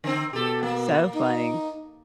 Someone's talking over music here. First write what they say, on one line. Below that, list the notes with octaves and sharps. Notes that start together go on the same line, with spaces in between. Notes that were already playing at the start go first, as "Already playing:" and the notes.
so funny.
D3 C4
B2 G4 A4
A#3
D#4